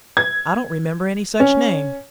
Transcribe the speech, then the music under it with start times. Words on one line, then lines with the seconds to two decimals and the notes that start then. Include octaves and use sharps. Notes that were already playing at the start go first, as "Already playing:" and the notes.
'I don't remember any such name!'
0.17 G#6
1.40 C#4